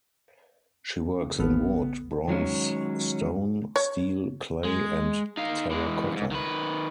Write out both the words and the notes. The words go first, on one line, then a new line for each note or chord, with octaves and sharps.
She works in wood, bronze, stone, steel, clay and terracotta.
A1 B3 A4 F6
D#3 F#3 G#3 C#4
C#5
G#3
D#4 F5
E3 G#3
F2 G#2
D#3 B4